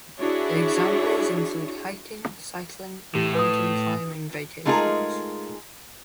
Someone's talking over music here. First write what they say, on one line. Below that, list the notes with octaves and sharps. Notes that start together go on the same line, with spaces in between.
Examples include hiking, cycling, and mountain climbing vacations.
D4 E4 F#4 G#4 C#5
A2 G4
B4 D#6
G#3 A3 D#4 F4 G#4 A#4